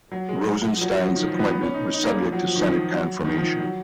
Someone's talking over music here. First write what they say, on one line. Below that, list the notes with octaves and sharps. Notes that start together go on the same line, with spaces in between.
Rosenstein's appointment was subject to Senate confirmation.
F#3
G#3
F3
F#3
F#3
F3
D#3
F3
B3
B3
C#4
D#4
D#4
A#3
G#3
F3
F#3
F3
D#3
F3
F3
F#3
D#3
F3
F3
F#3